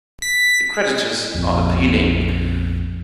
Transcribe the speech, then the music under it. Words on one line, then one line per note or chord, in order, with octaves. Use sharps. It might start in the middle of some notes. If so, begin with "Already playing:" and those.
The creditors are appealing.
B6
A#1 F2